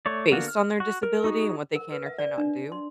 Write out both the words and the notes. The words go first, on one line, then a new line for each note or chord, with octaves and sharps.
based on their disability and what they can or cannot do.
A3 C#5 D5
D3 A#3 B3 F#4
F6
F#4
A#4
D#4 F#4 G#4
A#4
B4
E5
D5
D4
C6